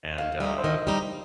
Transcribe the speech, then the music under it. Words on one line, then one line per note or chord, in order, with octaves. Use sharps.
and, uh
D#3 F5
G3 D#4
C5
D#3 D#5
G3 D#4